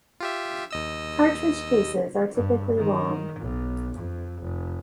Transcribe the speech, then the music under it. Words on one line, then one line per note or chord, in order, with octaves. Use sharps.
Cartridge cases are typically long.
F4 G4 E5
D#2 D#5 E6
G2
D#3
B1
F2
F1